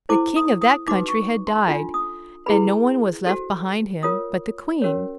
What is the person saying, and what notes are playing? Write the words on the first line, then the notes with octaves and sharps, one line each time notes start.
The king of that country had died, and no one was left behind him but the queen.
E4 A4 C5 D6
D#6
D#6
D#4 F#4 B4 D6
C#6
C6
D4 F4 A4
D#6
E4 G#4 B4 B5
F#4 A4 C5
F4 A#4 C#5 D#6
C#4 F#4 A#4 C#5